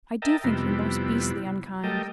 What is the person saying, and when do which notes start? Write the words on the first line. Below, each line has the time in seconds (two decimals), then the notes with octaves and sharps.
I do think you're most beastly unkind.'
0.22 A#4 D#5 E5 G5 A5 A#5
0.44 F2 C3 G3 B3 E4
1.84 G3 A3 A4 A#4 D#5 G5